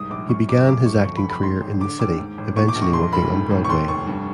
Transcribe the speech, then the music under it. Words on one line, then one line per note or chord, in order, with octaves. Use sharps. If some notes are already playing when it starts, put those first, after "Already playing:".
He began his acting career in the city, eventually working on Broadway.
Already playing: C2 G#2 D#6
A#1 D6
F#2 C#6
G#1 D6
F#2 D6
G1 C#6
F2 C#6
B5
F1
B5
G#2 C6
A1
D3 D6
D#2 D6
G#2
A1
A#2 C#6
D6
A#1
C#6
F2 C6
F1 B5
G#2
A1
C#6
D#2 C6
F1 C#6
G2